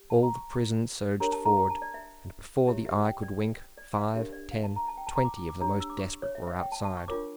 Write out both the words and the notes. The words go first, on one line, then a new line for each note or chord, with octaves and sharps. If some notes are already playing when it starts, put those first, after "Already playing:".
All the prison surged forward, and before the eye could wink, five, ten, twenty, of the most desperate were outside.
Already playing: G4
A5
A#5
C#6
D4 G4 A#4 C#5 A#5
A5
A#5
A#5
A5
D5
E5
E4 G4 C#5 E5
E5
G5
D5
D5
F5
D4 G4 A#4 C#5 E5
D5
F5
A5
A#5
A5
G5
A5
A#5
D6
D6
D6
D4 G4 C#5 A#5
E6
D6
C#6
C#5
E5
E5
G5
A5
A5
C#6
D4 F4 A#4 C#5 D6